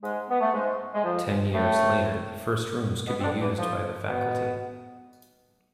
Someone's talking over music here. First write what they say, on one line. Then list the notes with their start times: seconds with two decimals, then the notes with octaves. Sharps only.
Ten years later, the first rooms could be used by the faculty.
0.02 G#2 G#3
0.30 B3
0.40 A3
0.52 G#2 G#3
0.93 G#3
1.03 F2 F3
1.54 A2 A3
3.06 B2 B3
3.19 C4
3.23 D3 D4
3.40 E2 E3
3.57 F2 F3
4.08 B2 B3